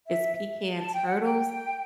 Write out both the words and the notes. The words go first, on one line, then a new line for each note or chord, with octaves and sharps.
it's Pecans Turtles.
E5
A5
G5
F#5
G5